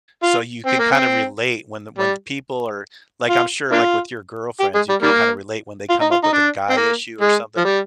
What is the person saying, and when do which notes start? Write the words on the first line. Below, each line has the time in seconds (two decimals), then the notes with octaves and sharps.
So you can kind of relate when the when the people are like, I'm sure, like, with your girlfriends, you can kinda relate when they come up with a guy issue or something.
0.23 F4
0.67 C4
0.79 A#3
0.92 C4
1.98 G3
3.29 F4
3.72 A#3 D4 F4
4.60 G4
4.75 G#3
4.89 G3
5.03 D#3 G3 A#3
5.90 F4
6.01 D#4
6.12 F4
6.24 D#4
6.33 D4
6.70 C4
6.77 A#3
7.21 G#3
7.57 F3
7.65 G3